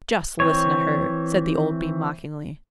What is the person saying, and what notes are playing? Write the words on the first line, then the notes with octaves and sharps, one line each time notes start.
"Just listen to her!" said the old Bee mockingly.
E3 C4 C#5